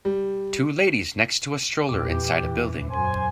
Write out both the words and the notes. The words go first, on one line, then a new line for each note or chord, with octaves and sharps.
Two ladies next to a stroller inside a building.
G3
E2 A#2 E3 G4 D6
F#2 C5 G#5